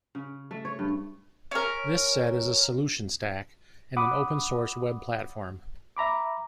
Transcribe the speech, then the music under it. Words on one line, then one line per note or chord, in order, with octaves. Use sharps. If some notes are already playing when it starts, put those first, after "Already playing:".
This set is a solution stack, and an open source web platform.
C#3
A3
C#5
G2
C#4 A#4
F#5 B5 D6 D#6
E5 A#5 B5 D6